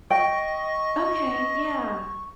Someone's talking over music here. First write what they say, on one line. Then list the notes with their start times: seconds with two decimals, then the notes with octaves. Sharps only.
Okay, yeah.
0.11 D#5 G5 C#6